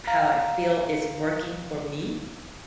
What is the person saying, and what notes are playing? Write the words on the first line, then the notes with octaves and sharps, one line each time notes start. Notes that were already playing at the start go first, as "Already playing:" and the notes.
how I feel it's working for me
F5 A#5